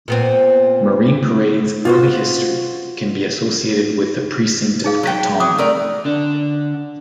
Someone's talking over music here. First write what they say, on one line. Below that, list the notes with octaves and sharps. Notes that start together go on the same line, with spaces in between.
Marine Parade's early history can be associated with the precinct of Katong.
A#2 B3 C4
F4 F#4 C5
D#4 G#4 F5
F#3 G5
F#3 D6 D#6
A3 A#4 D5
D3 D4